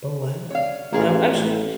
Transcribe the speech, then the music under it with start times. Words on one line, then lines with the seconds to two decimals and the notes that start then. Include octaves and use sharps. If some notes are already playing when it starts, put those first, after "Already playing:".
"But why?" And I've actually
0.51 C#5 F5
0.93 A1 A#2 G#4 F5
1.33 A1